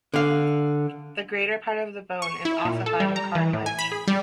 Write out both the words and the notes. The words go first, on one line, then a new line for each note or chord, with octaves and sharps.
The greater part of the bone is ossified in cartilage.
D3 F5
C#6
E4
A#2
A4
G3
A#5
E3
A2
G#5
B5
G#4
G3